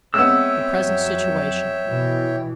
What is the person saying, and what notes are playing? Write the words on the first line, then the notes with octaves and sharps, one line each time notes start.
The Present Situation.
G#3 B3 C4 C#5 E5 G5 E6
F2 F#3
B2 E3